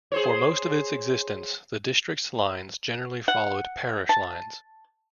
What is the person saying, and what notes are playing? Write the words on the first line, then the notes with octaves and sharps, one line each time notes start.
For most of its existence, the district's lines generally followed parish lines.
G#4 C5 C#5
F#5
A5